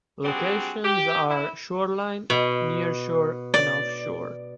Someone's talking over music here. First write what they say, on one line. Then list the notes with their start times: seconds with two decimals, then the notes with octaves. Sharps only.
Locations are shoreline, nearshore and offshore.
0.24 G3 C4 D4 F#4 G#4
0.83 G4
1.29 E4
2.30 B2
3.54 D5